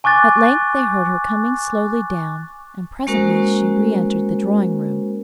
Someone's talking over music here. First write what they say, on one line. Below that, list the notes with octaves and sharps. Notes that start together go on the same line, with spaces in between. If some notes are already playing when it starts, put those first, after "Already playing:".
At length they heard her coming slowly down, and presently she reentered the drawing-room.
G#5 C#6 D6 F#6 A6
G#3 A#3 C#4 F#4 A#4 C5